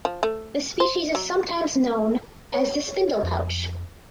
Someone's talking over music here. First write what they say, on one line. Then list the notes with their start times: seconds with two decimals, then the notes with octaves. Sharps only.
The species is sometimes knows as the "Spindle Pouch".
0.05 F3
0.23 A3
0.80 C5
1.15 F#3
2.54 C#5
3.23 F2